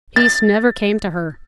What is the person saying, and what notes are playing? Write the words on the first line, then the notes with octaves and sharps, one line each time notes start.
Peace never came to her.
A6